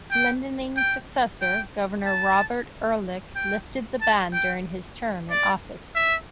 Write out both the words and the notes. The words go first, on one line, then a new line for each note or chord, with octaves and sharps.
Glendening's successor, Governor Robert Ehrlich, lifted the ban during his term in office.
G5
G5
G5
A5
G5
A5
G5
D5
E5